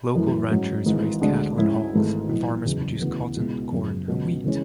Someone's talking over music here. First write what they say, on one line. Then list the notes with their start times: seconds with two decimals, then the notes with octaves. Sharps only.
Local ranchers raised cattle and hogs, and farmers produced cotton, corn, and wheat.
0.15 F#2 E3 A3 E4
0.50 G#2 F#3 C#4
0.86 G#1 G#2 E3
1.21 D2 D3 G#3 D4
1.57 G#2 G#3 C#4 E4
1.94 G#1 G#2 E3 A3
2.29 B1 A2 E3
2.65 F#1 E2 C#3 F#3
3.00 D2 C#3 E3 B3
3.37 C#2 B2 G#3 B3 E4
3.71 F#1 F#2 C#3
4.08 C#2 B2 F#3 C#4
4.44 C#3 E3 G#3 C#4